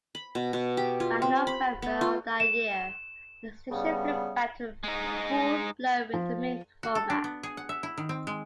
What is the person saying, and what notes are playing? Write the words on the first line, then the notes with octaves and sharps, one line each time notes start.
By November of that year, the station flipped back to a full-blown Rhythmic format.
B5
B2
B2
G4
F4
C4
B5
B3
F4
E7
G2 C#3 G3 B3
G#3 D#4
F3
F#4
A4
D4
B3
G#4
F#5
E5
E4
D#3
C4
G#3